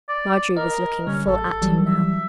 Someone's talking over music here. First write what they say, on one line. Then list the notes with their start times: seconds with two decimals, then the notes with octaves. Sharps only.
Marjorie was looking full at him now.
0.09 D5
0.57 A#4 D#5
1.07 D3 G3 C#4
1.27 A1 A4
1.62 E3 F#3 G3
1.86 E5